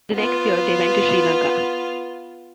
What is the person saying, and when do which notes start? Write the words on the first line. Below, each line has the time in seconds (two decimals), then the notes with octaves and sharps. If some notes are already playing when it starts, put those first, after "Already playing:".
The next year they went to Sri Lanka.
0.14 B3 F4